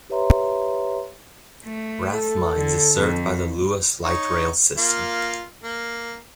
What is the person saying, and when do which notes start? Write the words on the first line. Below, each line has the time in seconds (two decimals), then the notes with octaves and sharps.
Rathmines is served by the Luas light rail system.
0.10 G4 B4 C#5 E5 A#5 C6
1.65 A3
2.12 A4
2.57 D3
2.96 F2
4.04 D#4 C#5
4.78 A#3 F4
5.63 A#3